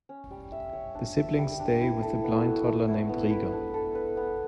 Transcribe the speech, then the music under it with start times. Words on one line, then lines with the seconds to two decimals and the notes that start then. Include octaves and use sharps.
The siblings stay with a blind toddler named Riga.
0.09 C#4
0.31 G3
0.52 E5
0.73 C#5
0.95 D4
1.16 E5
1.38 G3
1.60 D4
1.81 E4
2.02 A4
2.24 B3
2.46 F#4
2.66 A3
2.88 E4
3.09 B3
3.30 B4
3.52 D4
3.74 A4
3.95 B4
4.17 B3